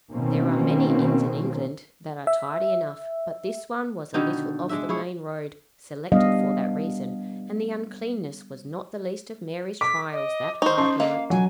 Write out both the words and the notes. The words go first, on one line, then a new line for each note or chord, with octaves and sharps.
There are many inns in England that are tidy enough, but this one was a little off the main road--selected for that reason--and the uncleanness was not the least of Mary's trials that hard night.
B2 D#3 A#3 C4 C#4
E5
B2 D3 D#3 D#4
G#3 D4 E5
E4 G#4 C#5
G3 B3 D4 D#5 F5
D6 B6
D#5
D#4 C5 C#6
C#4 C6
A#3 D#5 F5
F#3 G#5